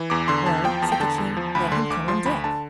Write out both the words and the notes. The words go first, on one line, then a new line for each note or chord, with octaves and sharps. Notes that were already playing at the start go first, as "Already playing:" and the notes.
"Well," said the King, "let him come on deck."
Already playing: E3
E2 D6
D3 C6
E2 A5
F3 G5
E2 A5
G5
D3 A5
E2
F3
D2 B5
D3 C6
D2 D6
F3 C6
D2 B5
D3 A5